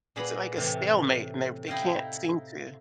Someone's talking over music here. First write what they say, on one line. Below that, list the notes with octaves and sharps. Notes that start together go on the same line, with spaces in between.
it's like a stalemate and they've they can't seem to
A#2 G#4 B4 F#5 A#5 B5
A2 C3 E3
D#4 E4 D#5 F5 G5